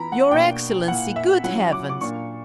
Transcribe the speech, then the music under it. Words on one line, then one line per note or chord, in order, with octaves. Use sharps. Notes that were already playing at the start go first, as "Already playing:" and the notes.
"Your Excellency, good heavens!"
Already playing: E3 B3 E4 A#5 B5
F#5
B2 A#3 D4 G5
A#2 A#3 E4 F#5
E5
F#3 C#4 E4 F#5
D6
D6
A#2 A#3 D4 C#6